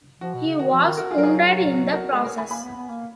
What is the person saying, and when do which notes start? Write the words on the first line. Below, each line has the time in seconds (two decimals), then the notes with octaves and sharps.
He was wounded in the process.
0.21 F3 F#4
0.34 B2
0.46 C#3
0.59 D#3 F#4
0.71 F3 F#4
0.85 D#3
0.97 F#4 A#4
1.11 F4 G#4
1.17 F#3 A#4
1.23 F4 G#4
1.35 F4
1.74 F#4
1.93 F#4 A#4
2.12 G#3 G#4 B4
2.25 A#4 C#5
2.38 G#5 B5
2.50 A#3 G#5 B5
2.63 B3
2.76 B3
2.89 A#3